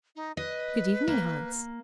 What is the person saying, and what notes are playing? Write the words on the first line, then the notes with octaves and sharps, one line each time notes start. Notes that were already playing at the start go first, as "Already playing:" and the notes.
'Good evening, Hans.
D#4
B4 D#5
A#3